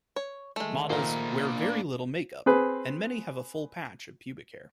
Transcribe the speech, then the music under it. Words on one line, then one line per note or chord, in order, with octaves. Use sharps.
Models wear very little make-up and many have a full patch of pubic hair.
C#5
D#3 G#3 A3
A#2 A#3 A#4 C5
D4 D5
C4 G#4 B4